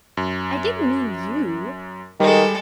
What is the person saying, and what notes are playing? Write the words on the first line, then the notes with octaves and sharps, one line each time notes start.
'I didn't mean you!
F#2
D#3 G3 G#3 A4